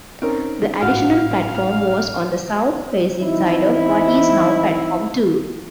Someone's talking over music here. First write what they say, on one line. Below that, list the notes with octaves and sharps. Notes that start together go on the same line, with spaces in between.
The additional platform was on the south-facing side of what is now platform two.
C4 C#4 D#4 A#4
G#1 A2 F#4 F5
E3 C4 D#4 E4